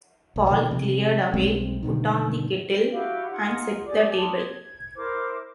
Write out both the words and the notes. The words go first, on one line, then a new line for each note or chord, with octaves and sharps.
Paul cleared away, put on the kettle, and set the table.
B1
B2 D#3 F3 A3
C3 F3
B1 G3 G#3 C4
G2 B2 D3 D#3
E4 F#4 G4 F5
D#4 F4 F#5
G4 G#4 D5 D6
F4 A5 D6 D#6
G#6
E4 A#4 C5 D6